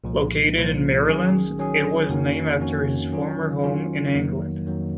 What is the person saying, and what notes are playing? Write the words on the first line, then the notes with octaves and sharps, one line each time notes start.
Located in Merrylands, it was named after his former home in England.
C2 A#2 F3
C2 A#2 F3
D#3 F#3 C#4 G#4
D#3 F#3 C#4 G#4
F2 D#3 A#3 C#4 F#4
F2 D#3 A#3 C#4 F#4
D#3 F#3 C#4 F4
D#3 F#3 C#4 F4
F2 D#3 F#3 A#3
F2 D#3 F#3 A#3